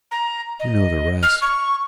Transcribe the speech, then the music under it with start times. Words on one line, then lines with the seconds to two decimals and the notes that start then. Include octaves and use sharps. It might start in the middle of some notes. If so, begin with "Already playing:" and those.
You know the rest.
0.11 A#5
0.59 D#5
1.22 F6
1.41 C#6